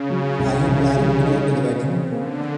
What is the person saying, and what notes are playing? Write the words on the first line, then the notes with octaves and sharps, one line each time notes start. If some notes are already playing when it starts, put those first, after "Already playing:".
Are you planning to go to the wedding?
Already playing: C#3
F#3
C2
C2
G3
D#4
B2
C4
D3 A#3